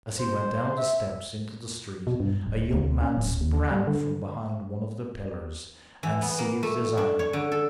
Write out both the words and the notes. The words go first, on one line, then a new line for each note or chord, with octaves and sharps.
As he went down the steps into the street, a young man sprang from behind one of the pillars, and seized his arm.
C5
E5
B2
G2
D1
D2
C#4
D1
D#2
G3
D3
E3
B3
A#3
A3
D4
C#5
D3
A4